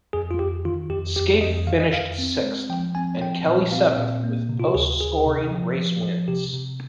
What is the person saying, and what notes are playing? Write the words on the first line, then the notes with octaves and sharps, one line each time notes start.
Skaife finished sixth and Kelly seventh with post scoring race wins.
F2 G#4
F4
F2 G4
D#3 F4
F2 G4
F2 G4
F2 D#5
D#3 F5
D#5
F2 F5
C4
G#3
F3 G5
C4 G#5
F3 G5
A#2
C4 F5
A#2
A#3
C3
F4
G4
D2 G#4
D2 G#4
C3
F3
F3
F3
C3 G4
C3